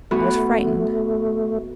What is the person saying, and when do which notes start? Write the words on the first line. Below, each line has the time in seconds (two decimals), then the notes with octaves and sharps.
I was frightened.
0.11 A3 B3 F#4